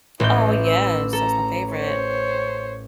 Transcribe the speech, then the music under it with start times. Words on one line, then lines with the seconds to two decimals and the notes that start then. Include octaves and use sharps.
Oh, yes. That's my favorite.
0.20 A1 E4 D#5 G6
0.65 E6
1.13 A4 A#5
1.73 C5 C#5